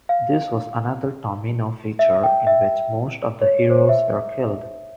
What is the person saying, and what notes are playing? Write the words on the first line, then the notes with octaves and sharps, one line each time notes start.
This was another Tomino feature in which most of the heroes were killed.
F5
E5
G5
E5
C#5
C5
C#5
E5